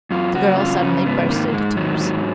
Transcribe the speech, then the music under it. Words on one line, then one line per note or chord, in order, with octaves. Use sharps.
The girl suddenly burst into tears.
F#2 F4
C#3 F#4
F#2 F4
C#3 C#4
G#2 B3
D#3 A#3
A#3
G#2 G#3
D#3 F#3
G#2 F#3